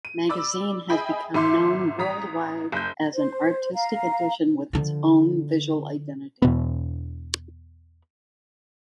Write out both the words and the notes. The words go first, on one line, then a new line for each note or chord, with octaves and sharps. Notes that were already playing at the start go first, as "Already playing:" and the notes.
Magazine has become known worldwide as an artistic edition with its own visual identity.
D#7
D5 B5 D6 E6
G#4 D#5 E5 G5 B5
G#1 E5 C6 D6
A1 A#5 D#6 B6
F#1 G6
C5
F5 A#5
D3 F3
E2 B2 B3